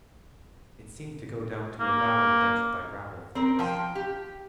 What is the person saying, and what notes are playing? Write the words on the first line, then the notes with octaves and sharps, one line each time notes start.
It seemed to go down to a valley benched by gravel flanks.
A#3
C4 A#4
F3 G5
G4